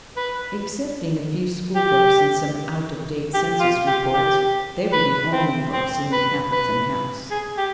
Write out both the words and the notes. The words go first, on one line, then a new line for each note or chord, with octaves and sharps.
Excepting a few school-books and some out-of-date census reports, they were the only books in the Appleton house.
B4
G4
G4
F4
G4
G4
B4
C4
C4
B4
B4
G#4
G4